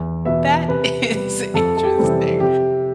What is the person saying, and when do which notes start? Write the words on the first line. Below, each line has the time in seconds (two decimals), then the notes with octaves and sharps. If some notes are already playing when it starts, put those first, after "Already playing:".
That is interesting.
Already playing: E2
0.25 B2 B3 E5
0.68 C3 B4
1.12 G3 B3
1.54 F2 A4
1.77 A4
1.83 G4
1.98 C3 E3 G3 C4
2.40 C3 G4